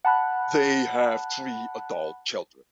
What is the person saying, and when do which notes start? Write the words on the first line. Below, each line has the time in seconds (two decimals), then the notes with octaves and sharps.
They have three adult children.
0.05 F#5 A5 B5 F#6